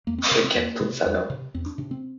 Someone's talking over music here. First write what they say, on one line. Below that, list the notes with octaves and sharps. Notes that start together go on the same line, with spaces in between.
A capital fellow!
E2 A#3
C4
C3
C4
E2 A#3
C3
E2
C3
E2 C4
D4
C3 D4
C4